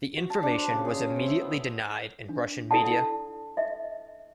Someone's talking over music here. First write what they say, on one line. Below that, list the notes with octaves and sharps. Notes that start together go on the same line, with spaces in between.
The information was immediately denied in Russian media.
F#4
A5
D4
C5
C#3
G#4
C#4
C5
E5
B3
D4
E4 A4 D5 F#5 A5
D#5 E5